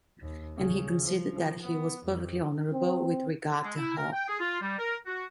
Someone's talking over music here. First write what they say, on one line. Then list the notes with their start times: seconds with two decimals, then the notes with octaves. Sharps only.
And he considered that he was perfectly honourable with regard to her.
0.22 D#2
0.57 C#3
1.04 F3
1.61 B3
2.07 F2
2.73 C4
3.64 G#3
3.76 E4
3.97 A#4
4.13 G5
4.28 G#4
4.40 F4
4.62 G3
4.79 A#4
5.07 F#4